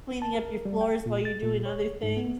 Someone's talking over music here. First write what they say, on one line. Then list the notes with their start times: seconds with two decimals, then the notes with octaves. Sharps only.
cleaning up your floors while you're doing other things.
0.22 A5
0.35 A#4
0.65 G3
0.81 G5
1.06 A#2
1.25 A6
1.43 A#2
1.66 C#5
2.03 G#2
2.17 B3